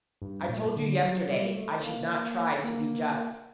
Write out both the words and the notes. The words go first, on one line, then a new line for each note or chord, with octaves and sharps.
I told you yesterday I should not try to be just.
G2
A#2
D3
F#3
G3
A3
A#3
A#3